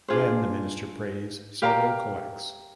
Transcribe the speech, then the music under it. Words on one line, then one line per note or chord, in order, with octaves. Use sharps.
Then the minister prays several collects.
D4 F4 G#4 C5
G4 A#4 F5 A#5